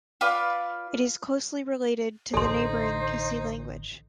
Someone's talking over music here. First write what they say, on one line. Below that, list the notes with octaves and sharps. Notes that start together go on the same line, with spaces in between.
It is closely related to the neighboring Kissi language.
F4 B4 D5
A1 D3 D#4 A4 C5 C6